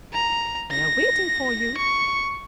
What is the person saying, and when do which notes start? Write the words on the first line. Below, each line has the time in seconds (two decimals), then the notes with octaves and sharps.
They are waiting for you.
0.13 A#5
0.71 A#6
1.78 C#6